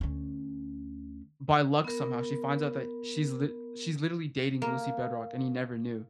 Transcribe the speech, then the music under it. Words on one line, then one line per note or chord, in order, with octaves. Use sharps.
by luck somehow, she finds out that she's li she's literally dating Lucy Bedroque and he never knew.
D2 C#4
B3 A#4
A#3